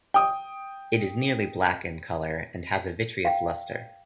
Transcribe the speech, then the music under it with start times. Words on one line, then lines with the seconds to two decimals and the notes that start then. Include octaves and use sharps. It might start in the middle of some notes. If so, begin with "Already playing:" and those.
It is nearly black in color and has a vitreous luster.
0.14 G5 D#6
3.25 F5 G5